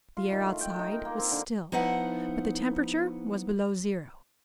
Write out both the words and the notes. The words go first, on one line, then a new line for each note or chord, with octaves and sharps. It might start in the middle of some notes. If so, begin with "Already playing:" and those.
The air outside was still, but the temperature was below zero.
F4
D#3
A3
G5
D#4
A#4
A#3
C4
D3
F3 B3 D#4 E4 F#5